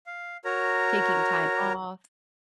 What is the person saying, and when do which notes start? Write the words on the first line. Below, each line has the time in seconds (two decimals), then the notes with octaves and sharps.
taking time off,
0.06 F5
0.45 F#4 A#4 C#5 A#5